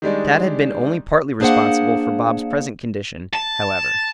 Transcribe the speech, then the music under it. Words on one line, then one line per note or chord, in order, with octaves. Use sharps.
Tad had been only partly responsible for Bob's present condition, however.
D#3 G3 G#3 D4
A#3 D4 G#4 C5 F5 F#5
A5